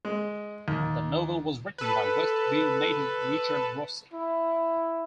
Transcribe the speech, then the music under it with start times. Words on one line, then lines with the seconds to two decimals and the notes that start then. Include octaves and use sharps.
The novel was written by West View native Richard Rossi.
0.05 G#3
0.68 D#2
1.78 A4 B4
4.14 E4